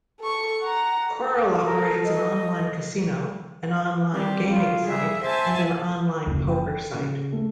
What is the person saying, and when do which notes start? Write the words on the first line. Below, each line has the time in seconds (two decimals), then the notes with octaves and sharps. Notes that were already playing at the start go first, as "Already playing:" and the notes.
Coral operates an online casino, an online gaming site, and an online poker site.
0.20 A4 C#6
0.61 F#5 A#5
1.14 A4
1.63 A#4
2.05 D#5
4.13 G3 C4 G4
4.50 F#3 F4
4.87 G3 G#4 E5
5.22 C5 E5 G#5 A5
6.26 F#1
6.49 G5
6.94 C#3
7.32 A3